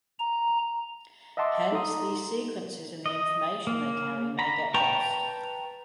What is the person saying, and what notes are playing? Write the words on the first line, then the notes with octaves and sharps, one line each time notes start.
Hence, these sequences and the information they carry may get lost.
A#5
D#5 E5 F#5 A5 C6 D6
D#4 A4 A#5 C6 D#6
D#5
A#3
A#5 B5
B4 G5 A5 A#5 C#6